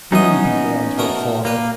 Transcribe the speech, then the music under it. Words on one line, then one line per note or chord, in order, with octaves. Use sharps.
"Booby!" yelled her father.
E2 B2 B3 C#4 D#4 D#5
B2 A3 A#4
A#3 G4 B4